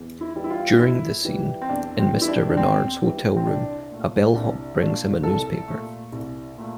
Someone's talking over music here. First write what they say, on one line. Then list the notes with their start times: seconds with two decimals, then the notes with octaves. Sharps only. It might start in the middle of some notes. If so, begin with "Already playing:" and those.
During the scene in Mr. Renard's hotel room, a bellhop brings him a newspaper.
Already playing: E2
0.21 E4
0.36 E3 G3
0.44 E4
0.50 F4
0.80 E2 E4
1.25 E3 G3
1.62 C4
1.69 E2 D4
1.99 C4
2.14 E3 G3
2.22 E4
2.28 D4
2.49 D4
2.57 E2 C4
3.02 E3 G3
3.37 C4
3.46 C2 D4
3.91 A#2 A3
4.35 C2 D4
4.80 A#2 A3 D4
5.23 C2 A4
5.67 A#2 A3
6.12 C2
6.57 A#2 A3